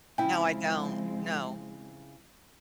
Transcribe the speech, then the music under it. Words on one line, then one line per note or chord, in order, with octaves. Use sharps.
No, I don't, no,
C#3 F3 G#3 C4 E4 G5